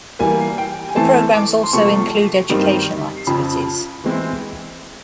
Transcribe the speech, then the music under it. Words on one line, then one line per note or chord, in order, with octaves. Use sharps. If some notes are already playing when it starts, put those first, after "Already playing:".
The programs also include educational activities.
E3 G3 A#3 G#5
G5
G#5
E3 A3 C4 E4 A5
D6
C6
C3 F3 A3 C#6
G2 D#3 G3 C4 D#4
F2 C#3 F3 B5
E3 G#3 C4 E4